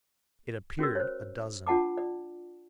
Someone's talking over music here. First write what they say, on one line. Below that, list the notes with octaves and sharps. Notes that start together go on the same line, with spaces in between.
It appeared a dozen.
C#4 F#4 A#4 E6
C5 C#5
D4 F4 F#5 A5 D6
D5